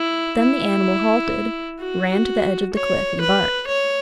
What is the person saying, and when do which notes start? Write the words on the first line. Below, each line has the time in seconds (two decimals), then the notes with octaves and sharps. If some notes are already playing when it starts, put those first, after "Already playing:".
Then the animal halted, ran to the edge of the cliff and barked.
Already playing: E4
0.40 E4
1.80 F#4
2.74 C#5
3.21 B4
3.67 C#5